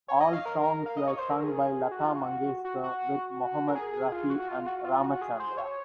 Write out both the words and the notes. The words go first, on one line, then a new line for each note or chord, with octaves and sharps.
All songs were sung by Lata Mangeshkar with Mohammed Rafi and Ramachandra.
C#5
D#5
F5
A#4
F5
D#5
C#5
C5
A#4
G#4
F#4
F4
F#4
F#4
F#4
A#4
G#4
G#4
F4
F#4
F4
F#4
F4
F#4
G#4
C5
C#5